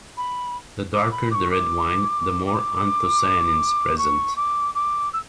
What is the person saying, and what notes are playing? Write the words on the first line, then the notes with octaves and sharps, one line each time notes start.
The darker the red wine, the more anthocyanins present.
B5
D6
B5
D6
C#6
D6
D6
C#6
D6
D6
E6